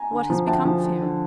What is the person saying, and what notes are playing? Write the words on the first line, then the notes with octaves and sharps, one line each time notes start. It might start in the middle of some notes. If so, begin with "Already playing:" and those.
"What has become of him?"
Already playing: G#5 A#5
D3
F3
D2 G5 A5
F3
D3
D3